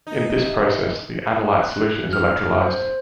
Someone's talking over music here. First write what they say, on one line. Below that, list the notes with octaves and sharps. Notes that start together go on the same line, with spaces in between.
In this process, the analyte solution is electrolyzed.
D#4
G4 E5
F#6
F6
C5